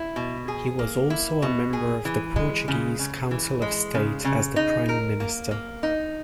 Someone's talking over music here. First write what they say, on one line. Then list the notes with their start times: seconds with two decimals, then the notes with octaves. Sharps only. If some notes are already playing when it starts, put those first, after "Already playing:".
He was also a Member of the Portuguese Council of State as the Prime-Minister.
Already playing: E4
0.16 B2
0.48 G#4
0.79 A#3
1.10 E4
1.42 B2
1.73 G#4
2.05 E3
2.36 G#3
2.68 C#3
2.99 C#3
3.31 E3
3.62 G#3
3.94 C#3
4.25 C#3
4.56 D#4
4.89 A#4
5.20 A#3
5.51 A#3
5.83 D#4